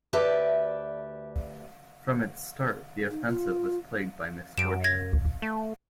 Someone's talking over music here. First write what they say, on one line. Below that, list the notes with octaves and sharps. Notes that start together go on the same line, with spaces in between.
From its start the offensive was plagued by misfortune.
D2 G4 B4 D5 E5 A5
D#4
F4
F#2 D7 E7
G#6 A#6
A3